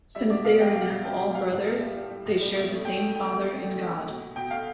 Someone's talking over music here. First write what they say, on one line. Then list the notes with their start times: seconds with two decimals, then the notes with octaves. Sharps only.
Since they are now all brothers they share the same father in God.
0.15 G3 E5
0.30 B2 D5
0.45 B2 F5
0.60 G3 G5
0.74 B2 F5
0.90 B2
1.05 B2 G5
1.20 B2
1.35 G3 F5
1.51 A2
1.65 G3 E5
1.80 G3
1.95 G3
2.10 G3
2.25 A2
2.41 G3
2.55 B2
2.70 A3
2.85 A3 G5
3.00 A3
3.16 A3 G5
3.31 A3
3.45 A3
3.60 A3
3.75 A3
3.91 A3
4.06 B2
4.21 B2
4.36 B2 G5
4.51 A3 F5